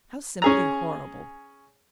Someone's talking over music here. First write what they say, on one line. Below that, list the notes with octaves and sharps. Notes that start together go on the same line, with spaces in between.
'How simply horrible!'
C#4 G#4 A#5